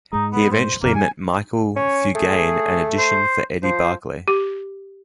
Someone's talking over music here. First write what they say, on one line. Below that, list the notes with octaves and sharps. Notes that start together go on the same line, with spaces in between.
He eventually met Michel Fugain and auditioned for Eddie Barclay.
G#2 G#3 D#4
B3
C5
F2 C#3 A#3
G3 G#5
C#4 C#5
A3 G#4
C5
F3 C5
G4